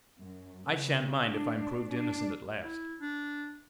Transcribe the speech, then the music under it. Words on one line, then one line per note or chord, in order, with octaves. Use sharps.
"I shan't mind if I'm proved innocent at last."
F#2
C#3
D4
D4
E4
D4